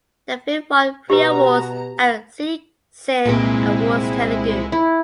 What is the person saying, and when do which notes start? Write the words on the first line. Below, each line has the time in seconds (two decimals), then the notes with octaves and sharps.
The film won three awards at Zee Cine Awards Telugu.
1.10 B2 F#4 G4 B4 A#5
3.25 C2 A#2 G#3 C4 E4
4.72 E4